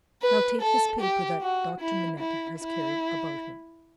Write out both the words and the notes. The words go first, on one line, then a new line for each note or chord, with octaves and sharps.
Now, take this paper that Doctor Manette has carried about him.
B4
A4
G4
F#4
E4
E4
E4